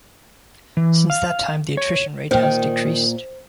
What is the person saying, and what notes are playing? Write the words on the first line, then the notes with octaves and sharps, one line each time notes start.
Since that time the attrition rate has decreased.
E3
F5
C#5
A#2 D#3 C5